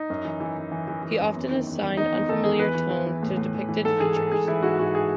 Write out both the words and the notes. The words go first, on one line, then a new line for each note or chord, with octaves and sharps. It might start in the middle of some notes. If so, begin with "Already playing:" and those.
He often assigned unfamiliar tone to depicted features.
Already playing: D#4
F#2
E3
E3
E3
E3
E3
E3
F#2
E2
D#3
E2
E2
D#3 D#4
E2
D#3 A4
E2 G#4
E3 B4
E3
E3
E3
A2
A2
E3
E3
G#2 A4
E3 G#4
G#2 A4
G#2 G#4
E3 E4
G#2 F#4
G#2 F#4
G#4